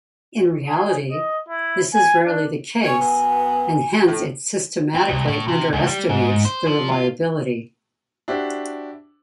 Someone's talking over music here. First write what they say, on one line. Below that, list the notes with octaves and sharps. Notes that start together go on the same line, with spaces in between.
In reality this is rarely the case, and hence it systematically underestimates the reliability.
G#4
D#5
E4
G#5
D4
C#4 C#5 G#5
F#2 B3
A2
C4
C2
A2
C3
C#2
G3
G#2
C5
F3
F4
D4 E4 F#4 G4 C5